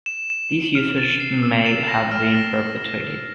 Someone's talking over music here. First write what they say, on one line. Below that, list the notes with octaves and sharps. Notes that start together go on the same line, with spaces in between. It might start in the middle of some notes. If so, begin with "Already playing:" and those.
This usage may have been perpetuated.
E7
E7
E7
F6
A6
C7
E6
E7
A#6
F6
A#6